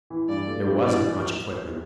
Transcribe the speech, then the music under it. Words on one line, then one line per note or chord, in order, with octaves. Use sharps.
There wasn't much equipment.
E3
G2 D5
A3
G2
E3 D5